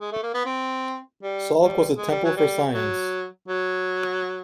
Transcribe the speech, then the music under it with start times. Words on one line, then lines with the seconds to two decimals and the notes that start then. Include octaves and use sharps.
Salk was a temple for science.
0.01 G#3
0.12 A3
0.23 A#3
0.34 B3
0.46 C4
1.22 G3
1.59 G3
1.97 G#3
2.11 G3
2.24 F#3
2.37 G3
2.72 F#3
3.48 F#3